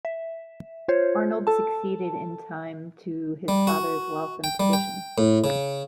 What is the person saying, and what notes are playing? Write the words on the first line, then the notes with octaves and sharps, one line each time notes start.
Arnold succeeded in time to his father's wealth and position.
E5
F4 C5 C#5
A4 A5
G3
F#4
G5
G3
G5
A2
C#3